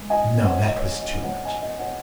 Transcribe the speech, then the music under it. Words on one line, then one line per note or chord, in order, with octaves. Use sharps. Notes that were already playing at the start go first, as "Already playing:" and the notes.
No, that was too much!
Already playing: G#3
D#5 G#5
C#5 F#5
D#5
C#5
D#5
C#5 F#5
D#5 G#5
D#5
C#5 F#5